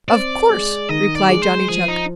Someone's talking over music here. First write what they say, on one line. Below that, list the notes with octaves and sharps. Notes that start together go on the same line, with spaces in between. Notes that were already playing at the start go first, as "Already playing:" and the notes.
"Of course," replied Johnny Chuck.
C4 D5
G#3
D#3 D#5
D5
G#3
C5
F3 G#4
D#4